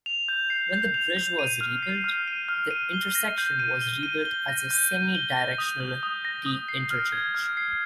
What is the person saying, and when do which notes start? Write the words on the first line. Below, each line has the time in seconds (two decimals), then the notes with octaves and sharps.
When the bridge was rebuilt, the intersection was rebuilt as a semi-directional T interchange.
0.06 F7
0.28 G6
0.50 C7
0.73 G6
0.94 F7
1.17 G6
1.39 D#7
1.61 F6
1.83 C7
2.04 F6
2.28 D#7
2.49 F6
2.71 D#7
2.93 G7
3.15 A#6
3.38 G6
3.59 D#7
3.81 G7
4.03 D#7
4.25 G7
4.48 A#6
4.71 G6
4.91 D#7
5.15 G7
5.37 A#6
5.58 D#6
5.80 G6
6.03 D#6
6.25 A#6
6.46 D#6
6.68 C7
6.91 F6
7.12 G#6
7.35 F6
7.57 C7